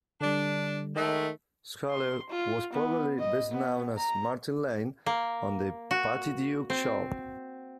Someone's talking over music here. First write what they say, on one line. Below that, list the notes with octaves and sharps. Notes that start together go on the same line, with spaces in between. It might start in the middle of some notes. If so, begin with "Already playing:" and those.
Schallert was probably best known as Martin Lane on "The Patty Duke Show".
D3 G3 D4
D#3 G#3 A3
C6
F4
B3
D#5
B3
A#5
A#3
F#4
C4